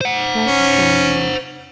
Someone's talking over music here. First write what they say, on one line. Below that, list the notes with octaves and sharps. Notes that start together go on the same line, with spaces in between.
Night was drawing near.
C5 F#5
C#4